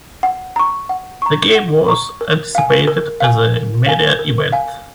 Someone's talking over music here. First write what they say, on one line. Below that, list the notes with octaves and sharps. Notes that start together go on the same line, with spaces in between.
The game was anticipated as a media event.
F#5
A#5 C#6
F#5
A#5 C#6
F#5
A#5 C#6
A#4
F5 G#5
A#4
F5 G#5
A#4
F5 G#5
A#4
F5 G#5